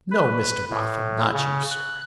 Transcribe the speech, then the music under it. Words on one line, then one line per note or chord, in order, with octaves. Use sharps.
'No, Mr Boffin, not you sir.
B4
A2
C#3
F#6